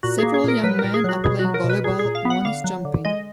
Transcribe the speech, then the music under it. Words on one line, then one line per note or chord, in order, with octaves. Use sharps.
Several young men are playing volleyball one is jumping.
A#2 F#4
A#3 G#4
G#4
A#2 A#4
F#3 B4
A#4
A#2
G#4
F#3 F#4
B2 G#4
F#4
F#3
A#4
B2
B4
A#2 G#4
G#4
A#2
F5
B3
F#5
D3 F5
F#3
D3
G#3 D#5